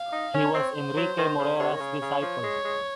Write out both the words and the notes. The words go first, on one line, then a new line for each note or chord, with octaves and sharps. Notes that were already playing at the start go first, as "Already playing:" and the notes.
He was Enrique Morera’s disciple.
Already playing: F5
D#4
C#4 C#5
C4
C5
F#3
D#3
C#3
C3 C#5
D#3
C#3
C#3
F3
G#3
G#3